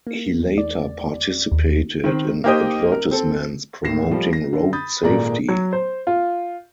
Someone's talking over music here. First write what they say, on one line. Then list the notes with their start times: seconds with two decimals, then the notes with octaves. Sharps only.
He later participated in advertisements promoting road safety.
0.07 A#3
0.40 E2
0.58 D5
1.52 D#2
2.04 D#3 C4
2.44 A#3 D#4 G4 C5 D#5 G5
2.92 A#4
3.11 C4 A4
3.83 D#2 A2 D#3 A#6 C7 E7
4.11 F3 G3 A3
4.33 A#6
4.53 D3
4.73 B5 D#6 G6 A6
5.03 G#1 A#2 G#3 A4 D5 A#5
5.49 F#3
5.73 C5
6.07 F4